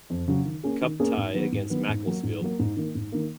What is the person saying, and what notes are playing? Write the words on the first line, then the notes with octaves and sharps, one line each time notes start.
Cup tie against Macclesfield.
F2
C#3 F#3
D#3
A#3 C#4 G#4
D#3
A#3 C#4 G#4
G#2
D#3 F#3 B3
G#2
D#3 F#3 B3
G#2
F#3 A#3
G#2
F#3 A#3
G#2
D#3 A#3
G#2
D#3 A#3